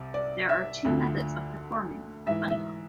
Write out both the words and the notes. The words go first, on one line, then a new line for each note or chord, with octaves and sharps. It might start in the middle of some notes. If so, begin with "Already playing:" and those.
There are two methods of performing a bunnyhop.
Already playing: C2 C3
D5
E5
D2 D3 F3
G#2 E3 E5
E5